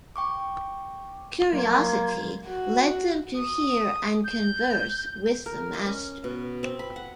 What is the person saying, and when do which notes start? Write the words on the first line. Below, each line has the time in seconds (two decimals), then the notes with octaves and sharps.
Curiosity led them to hear and converse with the master.
0.16 G5 C#6 D6
1.53 F#3 A#3 C6 G#6
2.47 F#4
3.37 D#6
4.25 G6
5.46 A#4
5.73 D#5
5.86 C#4
6.24 B2
6.63 C4
6.79 B5
6.96 F#5